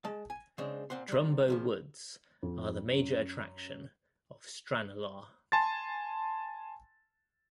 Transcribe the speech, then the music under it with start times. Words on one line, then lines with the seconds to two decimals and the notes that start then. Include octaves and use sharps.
Drumboe Woods are the major attraction of Stranorlar.
0.05 G#3 A5
0.30 G#5
0.58 C#3 G#3 C4 D4
0.90 A#2 C4 F#5 C6
1.08 C3 G3
1.48 E2 C3 F3
2.43 F2
2.92 F#2
5.52 G#5 A5 C6 A6